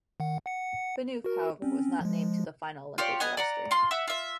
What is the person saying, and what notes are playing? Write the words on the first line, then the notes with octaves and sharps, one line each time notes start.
Phaneuf, however, was not named to the final Olympic roster.
D#3 F#5
F#5 C#7
F#4 A#4
C4 C#4
F3 G#3
F4 G4 C#5 D5
B3 D#5 F#5 G#5
D5 F#5 A#5
F4 C6
E5 F#5 E6
F4 E5